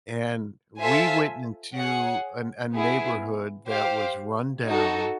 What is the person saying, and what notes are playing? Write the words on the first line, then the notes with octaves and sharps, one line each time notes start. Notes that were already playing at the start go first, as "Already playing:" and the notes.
and we went into a n a neighborhood that was run down
F4 A4 C5 E5 G#5
G#4 C#5 F#5
B3 E4 G#4
G4 C5 F5
D#4 F#4 A4